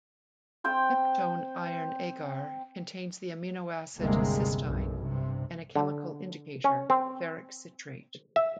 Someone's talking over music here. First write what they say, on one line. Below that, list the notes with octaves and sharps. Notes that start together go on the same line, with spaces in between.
Peptone iron agar contains the amino acid cysteine and a chemical indicator, ferric citrate.
C4 C5 G5
G1 D#2 C3 G3 G#3 A#3
B1 F#2
G2 C3
D3
C#4
C4
E5